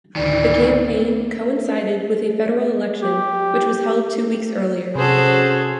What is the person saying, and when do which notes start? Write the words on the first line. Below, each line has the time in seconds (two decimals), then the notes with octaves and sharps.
The campaign coincided with a federal election, which was held two weeks earlier.
0.16 D2 A2 D#3 E3 D5
3.02 G4
4.95 C3 C#4 F#4 G#4 A4 C5